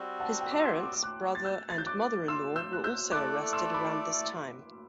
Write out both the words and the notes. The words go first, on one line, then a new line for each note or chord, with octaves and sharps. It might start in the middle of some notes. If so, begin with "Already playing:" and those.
His parents, brother and mother-in-law were also arrested around this time.
Already playing: G3 C4 F#4
F#5 A5
G5
D6
C6 E6
C6
D6
E6
D6 F#6
A6
E6 G6
A6
G6
D6 F#6
C6 E6
E6 G6
F#6
E6 G6
A3 E4 A4 D5 D6 F#6
C6 E6
B5 D6